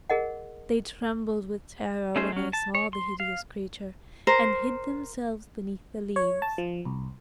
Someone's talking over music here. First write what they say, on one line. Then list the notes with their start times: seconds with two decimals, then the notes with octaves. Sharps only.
They trembled with terror when they saw the hideous creature, and hid themselves beneath the leaves.
0.10 G#4 A#4 D#5 F#5
2.16 A3 C#4 D#4 G#4 C5
2.32 F#3 C#4
2.53 A5
2.75 C#5
2.93 C6
3.20 F5
4.27 A#4 C5
6.16 C#5
6.42 A5
6.58 F3
6.85 C2